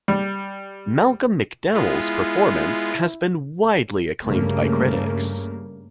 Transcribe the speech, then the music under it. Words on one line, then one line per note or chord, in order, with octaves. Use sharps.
Malcolm McDowell's performance has been widely acclaimed by critics.
G3
G#3 B3 E4 F4
G2 C#3 A3 A#3